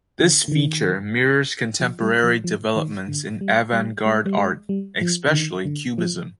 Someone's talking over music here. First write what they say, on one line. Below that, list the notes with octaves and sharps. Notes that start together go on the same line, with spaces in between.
This feature mirrors contemporary developments in "avant-garde" art, especially Cubism.
D3
D3
D#3
F3
G3
F3
F3
D#3
D3
G3
G3
G#3
G3
G#3
G3
F3
D3
D#3
D3
F3